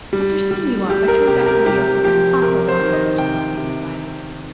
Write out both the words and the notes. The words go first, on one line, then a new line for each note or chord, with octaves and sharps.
After seeing you off, I turned back to New York with an awful wander-thirst gnawing at my vitals.
G3
G3
G3 G4
A#4
C3 G4
G4
A#4
C3 G4
F3 G4
C3 A#4
C5
D#3
D#5
C3 G5
C3